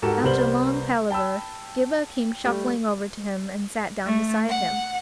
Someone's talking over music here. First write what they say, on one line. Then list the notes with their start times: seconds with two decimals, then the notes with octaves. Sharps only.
After long palaver, Ghibba came shuffling over to him, and sat down beside him.
0.02 G#2 F#4 G4 A4 A#4 E7
0.24 C2 G3 B3 A#4 C5 F#7
1.10 G5 A5 B5 E6
2.44 G3 A3 G4
4.06 A3
4.49 F#5